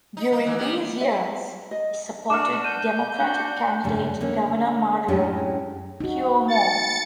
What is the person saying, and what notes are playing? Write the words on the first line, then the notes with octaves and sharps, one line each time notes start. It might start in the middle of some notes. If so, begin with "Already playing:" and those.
During these years, he supported Democratic candidate Governor Mario Cuomo.
D#4
D#4
E3
G3
E5
D#5
D4 F#4 D6 F6 E7
G6 D#7
D4 F#4
G2 A#2 C#3
D3 A#3 C#4
F#2 A2 G#3 C#4 D4 G4
D#4 F#4
A6 C#7